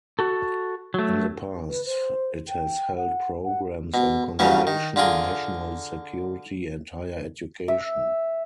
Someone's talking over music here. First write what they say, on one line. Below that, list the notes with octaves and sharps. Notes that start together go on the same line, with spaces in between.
In the past, it has held programs on conservation, national security, and higher education.
F#4 A4
F#3 A3
B4
C5
G5
F#5
F#5
B2
G2 C#3 E3 F#3 A#3 C#4
D#3
D3 F4 G#4 A#4
E5